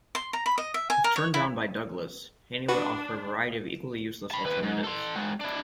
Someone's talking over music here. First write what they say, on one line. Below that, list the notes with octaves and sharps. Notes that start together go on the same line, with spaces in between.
If turned down by Douglas, Haney would offer a variety of equally useless alternatives.
C6
A#5
B5
D#5
E5
G#5
A#4
C#5
E4
D4 F#4 B4
A5 B5
D#2 B4
G#2
A4 C6
G#3 F#4
D4 E4